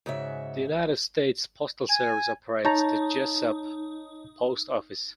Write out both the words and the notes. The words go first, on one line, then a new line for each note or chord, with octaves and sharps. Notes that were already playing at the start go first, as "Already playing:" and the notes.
The United States Postal Service operates the Jesup Post Office.
G#2 C#3 F#4 E5
G#5
D#4 C#5 A5 A#5